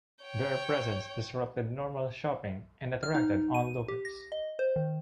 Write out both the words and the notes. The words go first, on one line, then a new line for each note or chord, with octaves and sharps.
Their presence disrupted normal shopping and attracted onlookers.
C#5 G5
F6
D#4
D#7
G4
A#6
D#5
C5
D#3